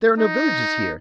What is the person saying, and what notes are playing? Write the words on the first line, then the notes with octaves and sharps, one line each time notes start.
There are no villages here?
D#4